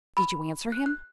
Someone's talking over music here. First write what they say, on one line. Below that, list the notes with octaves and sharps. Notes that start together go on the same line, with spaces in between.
"Did you answer him?"
B5
F#6
F#6